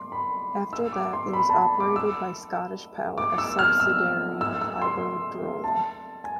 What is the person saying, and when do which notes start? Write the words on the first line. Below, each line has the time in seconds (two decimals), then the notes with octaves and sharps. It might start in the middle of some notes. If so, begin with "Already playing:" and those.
After that it was operated by Scottish Power, a subsidiary of Iberdrola.
Already playing: C6 D6
0.12 B5
0.73 E6
0.93 D6
1.13 C6
1.33 B5
1.50 A5
1.80 D6
1.96 E6
3.18 D6
3.38 E6
3.59 F6
3.80 E6
4.41 E6
4.61 E6
4.82 C6
5.64 A5
6.24 G#5